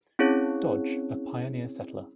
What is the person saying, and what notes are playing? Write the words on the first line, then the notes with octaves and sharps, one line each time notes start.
Dodge, a pioneer settler.
C4 C#4 E4 G#4 C#5